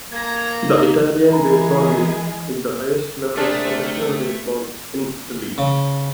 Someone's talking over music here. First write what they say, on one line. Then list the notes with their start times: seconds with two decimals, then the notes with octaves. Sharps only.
The Italian Baseball League is the highest level of professional baseball in Italy.
0.12 A#3 A4 A#5 G#6
0.66 D#4
1.32 E3 G#3 G#4 A#4 A#5 B5
3.37 C3 A3 D4 G#4 A#4 A5
5.58 C#3